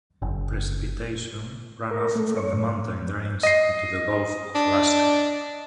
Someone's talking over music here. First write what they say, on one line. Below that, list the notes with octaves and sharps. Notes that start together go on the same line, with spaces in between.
Precipitation runoff from the mountain drains into the Gulf of Alaska.
F#1
A#4
A3
C#5
A2
D#5 C7
D4